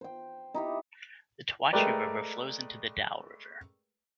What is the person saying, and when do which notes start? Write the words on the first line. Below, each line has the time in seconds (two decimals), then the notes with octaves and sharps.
The Toachi river flows into the Daule river.
0.01 C5 G5
0.54 D#4 E4 G4
1.73 G#3 A3 G4 A#4 B4 D5